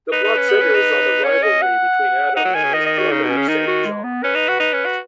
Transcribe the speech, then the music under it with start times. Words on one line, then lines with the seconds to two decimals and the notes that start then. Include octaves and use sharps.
The plot centres on the rivalry between Adam and his brother Saint John.
0.12 D#4 B4
0.24 D#4
0.38 C#4
0.49 B3
0.62 C#4
0.75 D#4
1.24 C#4 C#5
1.43 D#5
1.62 F#5
2.36 D#4 F#5
2.45 F#3
2.55 D#3 G#5
2.64 C#3
2.73 D#3 D#5
2.86 D#5
2.99 F#4
3.11 C#3 D#4
3.23 B2
3.29 C#4
3.37 C#3
3.48 D#3 D#4
3.67 F#4
3.86 G#3
4.04 B3
4.23 C#4 B4
4.35 D#4
4.48 F#4
4.60 D#4
4.73 C#4
4.85 F#4